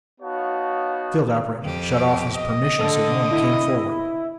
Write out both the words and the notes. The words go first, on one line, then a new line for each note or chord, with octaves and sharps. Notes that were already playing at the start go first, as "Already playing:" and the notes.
The field operator shut off his permission signal and came forward.
B3 D#4 F#4 C#5 F5 A5
F2 G4
D#5
D3 A4
E4